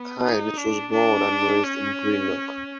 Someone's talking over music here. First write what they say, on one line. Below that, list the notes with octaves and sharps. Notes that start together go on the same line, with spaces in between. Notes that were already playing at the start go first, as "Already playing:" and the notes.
Cairns was born and raised in Greenock.
Already playing: B3
D#4
D4
D4
C#4